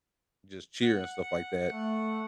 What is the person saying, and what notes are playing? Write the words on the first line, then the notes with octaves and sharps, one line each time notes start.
just cheer and stuff like that,
F#5
A3